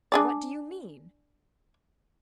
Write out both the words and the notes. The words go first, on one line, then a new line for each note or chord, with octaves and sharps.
"What do you mean?"
D4 G#4 D5